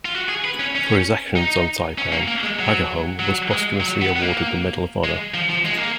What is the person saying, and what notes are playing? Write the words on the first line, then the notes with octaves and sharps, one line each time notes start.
For his actions on Saipan, Agerholm was posthumously awarded the Medal of Honor.
F4
F#4
G#4
B4
C#4
C#4
D#4
C#4
A#3
A#3
G#3
F#3
F#3
G#3
F#3
B3
B3
A#3
G#3
F3
F3
G#3
A#3